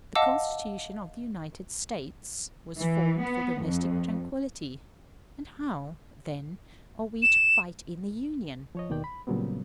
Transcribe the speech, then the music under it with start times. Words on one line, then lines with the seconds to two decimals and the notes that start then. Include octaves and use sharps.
The Constitution of the United States was formed for domestic tranquillity; and how, then, are we to fight in the Union?
0.15 D#5 F5 F#5 A5 D6 E6
2.78 E3
3.21 B3
3.64 F2
7.22 E7
8.75 F3 C#5 D#5
8.90 D#2 B2 D#3 D5 G5
9.04 B5
9.27 A#2 C#3 F#3 G3 B3 C4